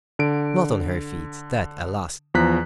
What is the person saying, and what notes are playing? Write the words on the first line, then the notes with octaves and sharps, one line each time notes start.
Not on her feet: that, alas!
D3 D7
E2 F3 A#5 F#6 B6